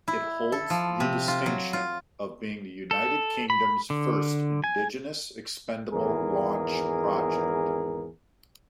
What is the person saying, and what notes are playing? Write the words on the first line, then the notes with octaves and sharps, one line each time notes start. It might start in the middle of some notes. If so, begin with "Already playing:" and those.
It holds the distinction of being the United Kingdom's first indigenous expendable launch project.
E4
A4
F3
C3
F4
F#3
F4
A4
B5
D3
G#5
G#1 E2 G#4 A#4